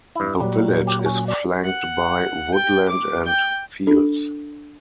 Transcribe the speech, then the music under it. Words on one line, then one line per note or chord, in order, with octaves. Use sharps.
The village is flanked by woodland and fields.
G2 E4
A#2 F#3 G3
G4
C#4
D5
F#5
G5
D6
G5
D4 A4